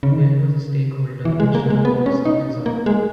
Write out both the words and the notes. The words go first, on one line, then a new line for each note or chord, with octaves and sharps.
Hill was a stakeholder in Sugar Bowl Ski Resort.
C#3
D#3
C#3
E3
G#3
A#3
G#3
B3
C#4
D#4
A#3
G#3